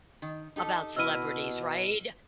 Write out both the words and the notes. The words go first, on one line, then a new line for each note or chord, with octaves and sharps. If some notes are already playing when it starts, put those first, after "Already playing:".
about celebrities, right?
D#3
D#4 G4 A4
B2 E4 D#5 E6 F6 D#7